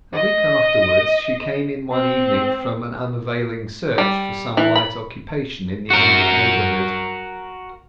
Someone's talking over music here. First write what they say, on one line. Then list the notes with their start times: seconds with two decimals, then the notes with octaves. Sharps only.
A week afterwards she came in one evening from an unavailing search for some light occupation in the immediate neighbourhood.
0.13 D#5
1.92 C4
3.98 G3
4.57 E3
4.76 B5
5.90 F#4 A#4